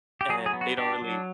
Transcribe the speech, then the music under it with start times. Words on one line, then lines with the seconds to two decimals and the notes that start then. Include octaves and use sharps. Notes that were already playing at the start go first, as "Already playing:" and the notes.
and they don't really
0.21 G4
0.29 F#3 G#4
0.46 G#4
0.53 B3
0.61 F#4
0.78 D4 G4
1.02 F#3